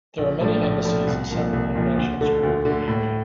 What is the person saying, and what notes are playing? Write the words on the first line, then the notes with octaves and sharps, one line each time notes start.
There are many embassies and several international schools in the area.
A#1
A2 F3 A3 D4
A#1
A2 F3 A3 D4
C2
A#2 F3 A#3
C2
A#2 F3 A#3
D2
D3 A3
D2
D3 A3
A2